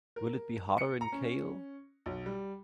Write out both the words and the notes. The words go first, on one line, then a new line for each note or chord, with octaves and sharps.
Will it be hotter in Cale?
A#4
C#7
A#5
C#4
B1
G3